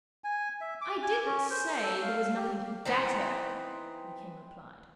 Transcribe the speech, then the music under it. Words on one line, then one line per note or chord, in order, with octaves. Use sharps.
'I didn't say there was nothing BETTER,' the King replied.
G#5
E5
D6
G#5
C#4
C5
A4
F5
G4
E3 B3 C4 D#4